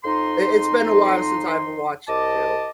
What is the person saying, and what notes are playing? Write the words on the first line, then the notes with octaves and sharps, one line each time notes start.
I It's been a while since I've watched it too.
F2 D#4 C6
C2 D#5 A5 D6